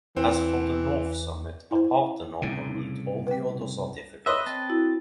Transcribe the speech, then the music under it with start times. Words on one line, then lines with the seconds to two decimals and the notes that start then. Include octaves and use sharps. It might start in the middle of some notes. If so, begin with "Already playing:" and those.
As for the North summit, apart the normal route all the others are difficult.
0.16 E2 E3 C4
1.71 E4 C5
2.42 C2 A2 C#3
3.27 B4 G5
4.26 B4 C#5 D#5 E5 C6
4.47 C4 A5
4.70 E4 F#4